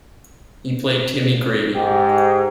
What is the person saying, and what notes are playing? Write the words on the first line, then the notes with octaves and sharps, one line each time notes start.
He played Timmy Grady.
G#2 G4